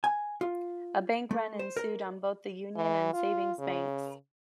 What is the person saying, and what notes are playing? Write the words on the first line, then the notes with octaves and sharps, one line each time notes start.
A bank run ensued on both the Union and Savings Banks.
G#5
F4
A3
C5
A#4
E3
F4
C#3